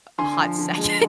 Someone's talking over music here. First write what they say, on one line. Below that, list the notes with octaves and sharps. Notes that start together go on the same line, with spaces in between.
a hot second,
D3 G#5 C6
F3
D3
G#3